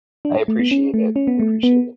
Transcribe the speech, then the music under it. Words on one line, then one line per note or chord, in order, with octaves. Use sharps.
I appreciate it. I appreciate it.
D4
A3
B3
C#4
A3
C#4
B3
A3
B3